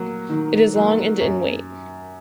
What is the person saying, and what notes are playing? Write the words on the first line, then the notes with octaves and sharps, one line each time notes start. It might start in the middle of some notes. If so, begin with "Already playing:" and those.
It is long and in weight.
Already playing: F#3 A#3
D#3
F#3 A#3
F#2